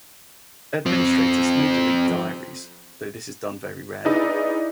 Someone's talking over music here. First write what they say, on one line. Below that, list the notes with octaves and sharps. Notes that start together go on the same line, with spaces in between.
Administrators may delete diaries, though this is done very rarely.
F3 C4
D#4 E4 G#4 B4 D5